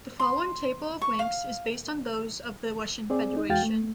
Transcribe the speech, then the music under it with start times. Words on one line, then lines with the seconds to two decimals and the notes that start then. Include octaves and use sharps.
The following table of Ranks is based on those of the Russian Federation.
0.20 C6
1.02 C#6
1.19 F5
3.10 C4 G#4 D5
3.36 D#4
3.49 E2 G#3 F#4 F5 G5 A6
3.63 A3